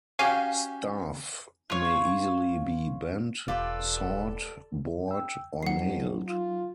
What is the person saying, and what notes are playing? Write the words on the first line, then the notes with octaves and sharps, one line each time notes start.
Staff may easily be bent, sawed, bored, or nailed.
C#4 F#4 G4 F5 G#5
F4 C#5
E1 F4 G4 A4 B4 D5
G5 E6
F2 F#3 D#4 F#5 C7
F4